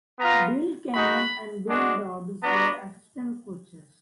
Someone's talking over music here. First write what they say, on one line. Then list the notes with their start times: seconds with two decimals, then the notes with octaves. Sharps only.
Bill Kenyon and Bill Dobbs were assistant coaches.
0.19 B3 F4 A#5
0.93 G#3 D#4 F#4 B5
1.68 G#3 D4 F#4
2.43 B3 D4 F#4 A#5